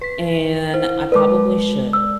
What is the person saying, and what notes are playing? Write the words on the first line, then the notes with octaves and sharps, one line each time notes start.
And I probably should,
B4 B6
E4 C5
G#3 A#4 B4 D5 D6
E6